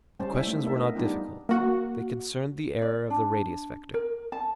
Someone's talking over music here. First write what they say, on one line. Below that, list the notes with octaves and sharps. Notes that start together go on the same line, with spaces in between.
The questions were not difficult. They concerned the error of the radius vector.
G3 G#3 C#4 C5 A5
E4 E5 G5
A3 D#4
B3 A#4 E5 A5
D4 D#5 E5 F#5
G3 B3 D4 D#4 F4 G5
A#3 F#4
D5
D4
A#4
A5